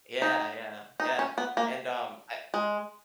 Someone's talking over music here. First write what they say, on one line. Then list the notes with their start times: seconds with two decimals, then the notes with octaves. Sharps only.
Yeah, yeah, yeah, and, um, I
0.22 D#4
1.00 D#4
1.19 C#4
1.38 B3
1.57 A#3
2.54 G#3